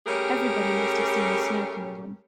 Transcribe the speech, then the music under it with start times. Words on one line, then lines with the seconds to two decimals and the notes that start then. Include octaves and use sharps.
Everybody must have seen the snow coming on.
0.07 G3 A3 C#4 G#4 A#4